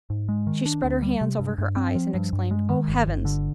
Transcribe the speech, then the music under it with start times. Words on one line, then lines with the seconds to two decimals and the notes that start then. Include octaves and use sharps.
She spread her hands over her eyes, and exclaimed, "Oh, Heavens!"
0.10 G#2
0.29 G#3
0.47 D#3
0.66 D4
0.84 D2
1.02 G3
1.21 C3
1.40 G2
1.58 G2
1.76 C4
1.95 F3
2.14 G2
2.33 G2
2.51 G#3
2.69 D#3
2.88 G1
3.06 G1
3.25 D3